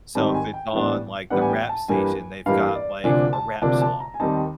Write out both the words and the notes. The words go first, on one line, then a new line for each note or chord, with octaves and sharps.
So, if it's on, like, the rap station, they've got, like, a rap song,
G#2 D#3 G3 C4 A5
G#5
G5
A2 E3 G3 B3 D4
A2 E3 G3 B3 D4 F#5
G#5
G5
A5
G2 E3 G3 A#3 G#5
G2 E3 G3 A#3 F5
D5
D2 C3 F3 A#3 D4 G#5
A5
D2 C3 F3 A#3 D4 A5
A5
A#5
G#5
D#2 D#3 G3 C4 D#4 A5